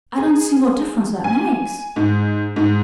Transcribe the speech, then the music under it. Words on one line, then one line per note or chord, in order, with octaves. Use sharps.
"I don't see what difference that makes."
G#4
G#5
G#2
G#2